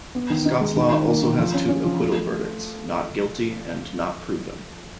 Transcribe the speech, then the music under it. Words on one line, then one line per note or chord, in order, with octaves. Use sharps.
Scots law has two acquittal verdicts: "not guilty" and "not proven".
B3
D#3
D#4
G#3
D#3
D#3
A#3
D#3
F3
C#4
C#4
F3
A3
A3
A3